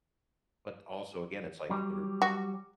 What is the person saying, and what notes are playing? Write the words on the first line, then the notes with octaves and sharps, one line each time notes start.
but also, again, it's like there,
F#3 G3
F#4